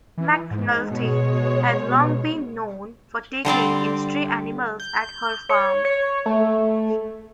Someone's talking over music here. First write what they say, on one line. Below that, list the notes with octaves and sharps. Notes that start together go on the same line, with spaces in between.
McNulty had long been known for taking in stray animals at her farm.
E3
G#2
B2 G#3 C#5
D3 G3 C4 D5
G6
C#5
C#5
A3